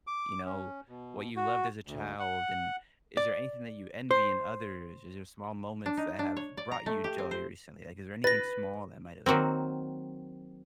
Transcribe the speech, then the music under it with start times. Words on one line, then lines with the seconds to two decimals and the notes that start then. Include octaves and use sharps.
you know, what you loved as a child, and is there anything that you envy in others? Is there small moments that have brought you joy recently? Like, is there anything small that might have,
0.07 D6
0.46 C#4
0.89 B2
1.36 F#4
1.87 D2
2.19 F#5
3.17 D5
4.11 C5
5.86 D4
5.97 D#4
6.19 D4
6.37 C#5
6.57 D5
6.72 A#5
6.86 A3
7.04 G4
7.18 C4
7.31 C5
8.24 B4 A6 A#6
9.26 D#3 F#3 A#3 C4